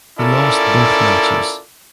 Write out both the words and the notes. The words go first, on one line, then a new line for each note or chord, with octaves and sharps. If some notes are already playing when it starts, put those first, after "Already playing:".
He lost both matches.
C#4 E4 F4 A4 A#4 D5